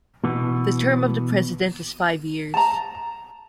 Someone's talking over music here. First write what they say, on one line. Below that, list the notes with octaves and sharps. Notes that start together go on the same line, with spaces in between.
The term of the president is five years.
B2 E3 B3
A5 A#5